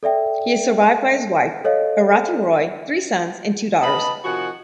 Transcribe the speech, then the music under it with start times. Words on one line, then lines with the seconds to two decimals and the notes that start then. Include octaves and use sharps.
He is survived by his wife, Arati Roy, three sons, and two daughters.
0.03 A4 D5 E5 G5
1.64 A4 C#5 D#5 F5
3.81 B4 D#5 A5 B5
4.24 C3 D#3 F3 F#4 F#5 G#5